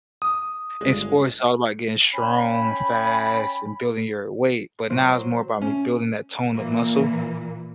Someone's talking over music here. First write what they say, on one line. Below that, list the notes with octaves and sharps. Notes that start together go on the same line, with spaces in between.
in sports, it's all about getting strong, fast, and building your weight, but now it's more about me building that tone of muscle
D#6
G1 G#3
C#4 G5 G#5 B5
F#3 C5
C#4
A#2 E3 A#3